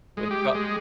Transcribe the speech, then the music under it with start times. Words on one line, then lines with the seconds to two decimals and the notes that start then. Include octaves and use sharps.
wi pro
0.17 G#3
0.31 G4
0.55 G#3